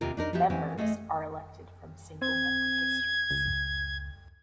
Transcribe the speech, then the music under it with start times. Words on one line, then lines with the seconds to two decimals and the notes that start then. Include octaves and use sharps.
Members are elected from single-member districts.
0.01 D#2 C3 F4 A#4
0.17 D4 D#4 A#4
0.33 F3 B3 F#4 G4 E5
0.50 E3 G#3 C4 C#4 E4
0.77 G#3 A3 G#4 A4 D#5
2.22 C4 G#6
3.31 C#2